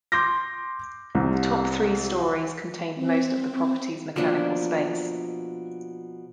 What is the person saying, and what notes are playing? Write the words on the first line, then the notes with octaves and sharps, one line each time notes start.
The top three stories contained most of the property's mechanical space.
C6 D6 G6 A#6
C2 C3
C4
B2 F3 A#3 D4